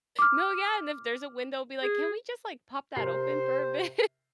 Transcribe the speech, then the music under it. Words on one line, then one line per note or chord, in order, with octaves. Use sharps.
No, yeah, and, if there's a window, be like, "Can we just, like, pop that open for a bit?"
D6 F6
G#4
C3 A#4 C5 C7